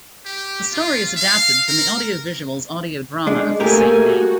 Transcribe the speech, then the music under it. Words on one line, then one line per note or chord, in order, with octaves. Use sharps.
The story is adapted from the Audio Visuals audio drama of the same name.
G4
F4
F5
A#4
G#3 D4
A3 A#3 G4 G#4 A#4 G#5
F#4